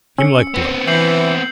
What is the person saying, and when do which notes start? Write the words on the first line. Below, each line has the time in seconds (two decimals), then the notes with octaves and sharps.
Heem like blood.
0.18 C#4 E6 C#7
0.54 B3 C4
0.87 E3 G6 C7 F#7